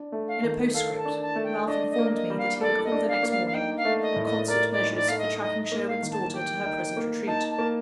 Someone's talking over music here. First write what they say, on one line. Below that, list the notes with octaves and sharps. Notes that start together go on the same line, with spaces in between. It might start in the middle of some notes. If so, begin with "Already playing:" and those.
In a postscript, Ralph informed me that he would call the next morning, and concert measures for tracking Sherwin's daughter to her present retreat.
Already playing: D4
A3
F5
D#3
A4 F5
A5
D4
A5
A3
G5
D4 D#5
D#5
A#3
D#5
G3
F5
A4 D5
D#5
D4
F5
A#3
F5
F5
D#4 G5
F5
A3
D#5
A2
D#5
A#4 D5
D5
D#4
D5
A3 F5
D#5
D#4 D#5
D#5
A#3
F5
D#3
A5
G4 G5
D#4
A#3
D#4 A5
A5
A#3